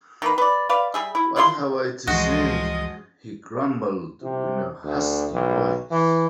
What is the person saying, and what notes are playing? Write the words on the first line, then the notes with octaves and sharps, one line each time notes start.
"What have I to say?" he grumbled in a husky voice.
D#3 A#3 B4
B4 D5
B4 D5 F5
G3 G#4 E5
E4
E4 F4 D5 C6
C#2 G2 E3 F3 G#3 F4 F#4 D#5
C3
D2
B1
E3